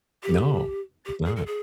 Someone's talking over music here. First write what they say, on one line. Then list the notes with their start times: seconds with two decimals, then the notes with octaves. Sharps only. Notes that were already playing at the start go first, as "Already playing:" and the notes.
No, it's not.
0.23 G4
1.06 G4
1.26 G#4
1.36 A4
1.47 G#4